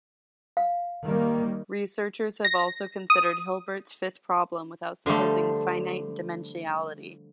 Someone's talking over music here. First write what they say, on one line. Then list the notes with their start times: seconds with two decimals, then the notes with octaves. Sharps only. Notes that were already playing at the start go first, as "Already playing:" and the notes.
Researchers have also considered Hilbert's fifth problem without supposing finite dimensionality.
0.57 F5
1.04 D#3 G3 A#3
2.45 A#6
3.10 D#6
5.06 D3 F3 G3 A3